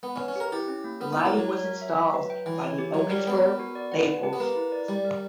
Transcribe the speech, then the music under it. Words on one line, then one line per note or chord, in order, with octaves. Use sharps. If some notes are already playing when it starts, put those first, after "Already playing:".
Lighting was installed by the Ogdensburg Maples.
B3 F#5
C#4
B4
C#4
G4 A#4
E4 G4
C#4
A#3
B3 A#4
B3 E4
A#3
F#3 C#5
C#5
A#4
E5
E5
B4
G5
E3 G5
C#5
G4
F#3 C#5
G3 A#4
B3 G5
A#4
F#4
D5
F#5
B4
G4
B3
A#3 B4
E4
D5
G3 D5
A#4